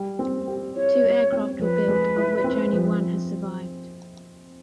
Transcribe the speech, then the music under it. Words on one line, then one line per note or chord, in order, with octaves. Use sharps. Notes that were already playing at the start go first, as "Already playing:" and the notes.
Two aircraft were built, of which only one has survived.
Already playing: G3
C4
G4
E4 C#5
G3
C4
F3 B4
G#3
E4
C4
F3